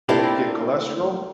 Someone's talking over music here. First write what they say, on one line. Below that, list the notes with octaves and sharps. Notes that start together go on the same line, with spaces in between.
So, you get cholesterol
A3 A#3 C4 D4 E4 G4